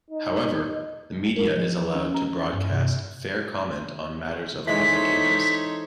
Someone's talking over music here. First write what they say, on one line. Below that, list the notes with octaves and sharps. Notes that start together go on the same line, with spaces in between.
However, the media is allowed to broadcast "fair comment on matters of public interest".
D#4
A#4
F3
B4
C#4
A#5
A6
G2
C3
E3 G#3 D#4 A4 C5 C#5 B6